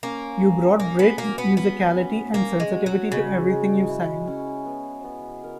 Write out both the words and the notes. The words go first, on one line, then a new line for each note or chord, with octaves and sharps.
You brought great musicality and sensitivity to everything you sang.
A#3 C#4
C#4
A#3 C#5
B3
A#3 F#4
B3
B3 C#4
C#4
A#3 C#5
G#3
F#4
F#3
C#3 G#3
G#3
E4
C#4
B3
B3
A#4